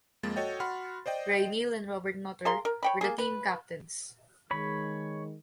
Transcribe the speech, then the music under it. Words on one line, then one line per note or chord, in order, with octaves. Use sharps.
Ray Neal and Robert Nutter were the team captains.
F2 G#3 A#3 A6
F#4 A4 C#5 D#5 G5
F#4 F#5 B5 C6 F6
C5 D5 D#5 G5
G#4 A#4 F5 C6
A#4
C#5 G5 B5
A#3 C4 G#4
B4
D#3 G#3 C#5 B5